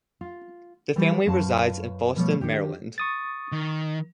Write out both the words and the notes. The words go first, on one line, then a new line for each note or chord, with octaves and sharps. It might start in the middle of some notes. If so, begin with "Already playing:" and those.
The family resides in Fallston, Maryland.
F4
E3 G3 F#4 G4 B4
F#2 C#4 F4 B4 F5 A5
B2 F3 G3 A3 C#5
D#3 D4 G4
C#6 D#6 A6
D#3